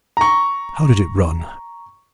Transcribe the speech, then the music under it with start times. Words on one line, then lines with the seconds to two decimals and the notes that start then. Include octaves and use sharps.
How did it run?
0.17 A#5 C#6